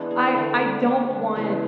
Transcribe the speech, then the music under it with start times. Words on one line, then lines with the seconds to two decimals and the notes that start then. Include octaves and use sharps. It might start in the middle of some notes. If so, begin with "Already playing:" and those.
I I don't want
Already playing: E3 G#3 B3 D4 E4
0.11 G#4
0.35 D3 A3 A4
0.86 D3 A3 F#4
1.11 D4
1.36 C#3 E3 G#3 B3 D4